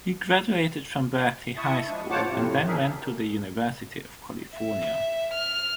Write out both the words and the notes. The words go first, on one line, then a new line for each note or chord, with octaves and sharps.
He graduated from Berkeley High School and then went to the University of California.
E4 E5 A5 C#6 D#6
F3 G#3 D4
F4 C5 C#5 F#5 A5 D6
F2 A2 C3
D4 D#4 G#4 A#4 E5
E5
F6